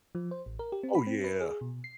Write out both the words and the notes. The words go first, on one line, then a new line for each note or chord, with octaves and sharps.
Oh, yeah.
F3
C5
A1
A#4
G4
C4
B5
C4
B4
G#4
B2
C7